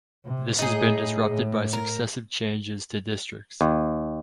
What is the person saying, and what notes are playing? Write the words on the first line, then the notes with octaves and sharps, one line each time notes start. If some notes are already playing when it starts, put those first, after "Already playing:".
This has been disrupted by successive changes to districts.
C3
A2 D#4 G#4
A2
A#4
D#2